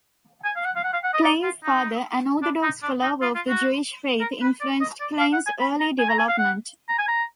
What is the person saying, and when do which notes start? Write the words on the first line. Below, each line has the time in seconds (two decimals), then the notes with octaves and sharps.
Klein's father, an Orthodox follower of the Jewish faith, influenced Klein's early development.
0.45 G#5
0.56 F5
0.65 F#5
0.76 F5
0.84 F#5
0.94 F5
1.04 F#5
1.14 D#5
1.24 D5
1.43 F4
1.64 D#4
2.43 D4
2.63 D#4
2.83 D4
3.02 D#4
3.22 F4
3.36 F4
3.48 F#4
4.21 A#4
4.41 B4
4.61 D5
4.81 D#5
5.01 D5
5.20 F5
5.33 F#5
5.47 G#5
5.60 B5
5.80 A#5
5.99 G#5
6.09 A#5
6.19 G#5
6.29 F5
6.38 F#5
6.89 A#5
6.98 G#5
7.08 A#5